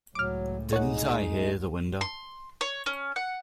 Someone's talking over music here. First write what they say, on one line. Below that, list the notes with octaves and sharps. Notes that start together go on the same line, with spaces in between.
Didn't I hear the window?
C#2 A2 F#3 D6 F6
G#3 D#4 C#5 F#5
C6
C#5
C#4
F#5